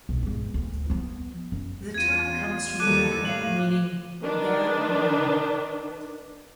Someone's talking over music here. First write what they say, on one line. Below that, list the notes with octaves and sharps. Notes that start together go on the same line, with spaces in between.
The term comes from the Greek, meaning "bearing an animal".
B1
G#2 B3
D2
F3 B3
F#2
E2 F4 G#6 D#7
D#2 G3 A4 D6 F#6 D#7
A2 F5 F#7
D#3 D4 B4